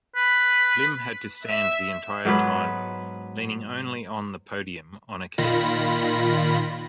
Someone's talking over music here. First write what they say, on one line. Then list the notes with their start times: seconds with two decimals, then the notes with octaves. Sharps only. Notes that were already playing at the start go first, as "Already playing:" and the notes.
Lim had to stand the entire time, leaning only on the podium on occasions.
0.16 B4
1.46 E5
2.25 G#2 F#3 B3 B4
5.38 A#2 D#3 F4 B5 A#6